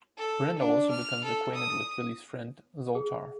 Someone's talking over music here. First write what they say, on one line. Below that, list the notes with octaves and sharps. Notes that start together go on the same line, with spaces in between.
Brenda also becomes acquainted with Billy's friend, Zoltar.
A4
D4
F6
A4
D#6
G#4